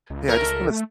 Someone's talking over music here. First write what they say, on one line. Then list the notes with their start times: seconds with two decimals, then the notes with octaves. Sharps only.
Hey, I just wanna s
0.10 C#2
0.28 A3 A#4
0.70 A3